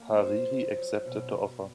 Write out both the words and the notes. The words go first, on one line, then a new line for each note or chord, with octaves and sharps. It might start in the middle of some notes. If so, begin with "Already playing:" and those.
Hariri accepted the offer.
Already playing: A#3
F2 C5
F2
F#3
B2
B2